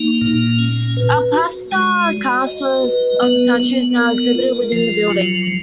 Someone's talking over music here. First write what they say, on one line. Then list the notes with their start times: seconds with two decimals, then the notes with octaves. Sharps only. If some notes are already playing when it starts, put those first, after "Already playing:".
A plaster cast of the statue is now exhibited within the building.
Already playing: A#3 D#4
0.21 A#2
0.59 C#4
0.97 B4
1.34 F#4
1.72 G#3
2.10 F#4
2.46 D#5
2.85 B4
3.22 B3
3.60 B3
3.97 A#4
4.35 F4
4.72 F3
5.10 F#3